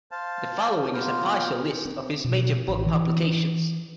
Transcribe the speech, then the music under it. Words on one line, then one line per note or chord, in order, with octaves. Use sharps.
The following is a partial list of his major book publications.
C5 F5 A5
A#3 B3 F4 A#4 C5
C4
B2
A1
E3